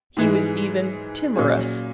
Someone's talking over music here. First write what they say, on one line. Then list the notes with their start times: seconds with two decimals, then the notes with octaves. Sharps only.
He was even timorous.
0.17 G#2 E3 G#3
1.36 A#2 F#3 C#4 G#4